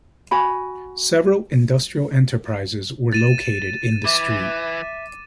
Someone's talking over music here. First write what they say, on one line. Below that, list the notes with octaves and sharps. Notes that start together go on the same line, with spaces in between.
Several industrial enterprises were located in the street.
F#4 G#5 B5
A6 D#7 E7
E3 E5 D6